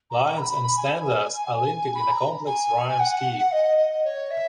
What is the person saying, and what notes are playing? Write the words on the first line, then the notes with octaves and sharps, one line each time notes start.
Lines and stanzas are linked in a complex rhyme scheme.
A#5
B5
B5
B5
G#5
B5
A#5
G#5
F#5
D#5
D#5
C#5
E5